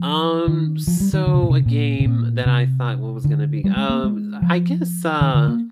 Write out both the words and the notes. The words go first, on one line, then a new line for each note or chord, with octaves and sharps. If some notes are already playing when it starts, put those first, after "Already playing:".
Um, so a game that I thought was gonna be, um I guess, uh,
Already playing: F3
D#3
F3
G3
D#3
D3
C3
A#2
C3
A#2
C3
A#2
C3
D3
G3
G#3
A#3
G#3
F3
D#3
D3
A#3